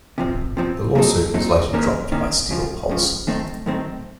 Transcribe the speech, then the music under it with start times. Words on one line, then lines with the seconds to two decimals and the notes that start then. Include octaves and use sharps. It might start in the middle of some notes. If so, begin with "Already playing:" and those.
The lawsuit was later dropped by Steel Pulse.
0.18 C3 F3 C4
0.57 C3 F3 C4
0.95 A#2 F#3 C4 D#4 A4
1.34 A#2 F#3 C4 D#4 A4
1.73 C3 D#3 A#3 C#4
2.12 C3 D#3 A#3 C#4
2.51 C#2 C#3 F3
2.89 C#2 C#3 F3
3.27 F#2 D#3 A3 C4 D#4
3.66 F#2 D#3 A3 C4 D#4